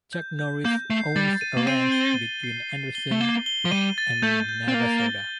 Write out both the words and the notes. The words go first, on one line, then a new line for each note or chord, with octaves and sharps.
Chuck Norris owns a ranch between Anderson and Navasota.
G6
G6
A#3 G6
A3 C7
G3 A6
D#7
A#3
C4 D#7
G7
G7
C7
C7
G7
A3
A#3 G7
G7
F3
G3 D#7
A6
A3 G6
G6
C4
A#3 G6
G7